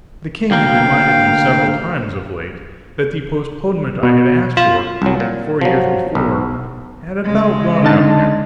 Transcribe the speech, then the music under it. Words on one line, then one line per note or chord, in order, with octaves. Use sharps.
The king had reminded me several times, of late, that the postponement I had asked for, four years before, had about run out now.
D2 A#3 F5 G5
B2
F4
C2 F#3
A#2
F3 F#3
B1
C#3 G#3
D3 D#4 A5